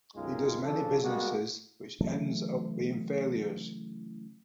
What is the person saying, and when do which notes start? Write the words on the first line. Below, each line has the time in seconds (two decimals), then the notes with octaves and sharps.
He does many businesses which ends up being failures.
0.16 B1 F#2 D#3 G#3 D#4 F4
0.64 C#3 F3 D4 A4
1.03 G3 G#3 A#3 B3 F#4
2.00 C#3 E3 F#3 A3